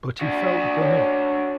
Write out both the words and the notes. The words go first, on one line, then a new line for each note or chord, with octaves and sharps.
But he felt done up.
D4 F#4
C#5